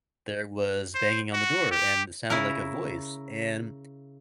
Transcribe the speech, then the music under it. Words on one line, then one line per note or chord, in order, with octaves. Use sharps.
there was banging on the door and it sounded like a voice, and
C5
F#4
G4
C#3 E4 A#4